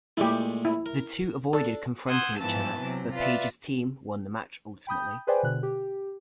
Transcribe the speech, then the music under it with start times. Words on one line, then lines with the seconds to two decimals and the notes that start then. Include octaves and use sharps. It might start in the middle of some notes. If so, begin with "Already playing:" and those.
The two avoided confronting each other, but Page's team won the match ultimately.
0.17 A#2 G#3 A3 E4 G4
0.65 E4
0.86 A#4
1.53 D4 A4
2.08 F#5 C6 D#6 E6 G6 G#6
2.38 G#2 E3 F3 B3 A5 E6
2.81 C3 F#3
3.15 F4 B4 D5 E5
4.87 G5 B5 D#6 G6
5.27 G#4 B4 C5 D5 G5 G#5
5.43 B2 D3 F#6
5.63 G4